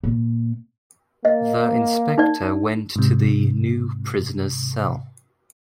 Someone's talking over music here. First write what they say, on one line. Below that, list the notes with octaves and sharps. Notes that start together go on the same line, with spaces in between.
The inspector went to the new prisoner's cell.
A#2
A#3 D#5
D#4 D5
G#2 C3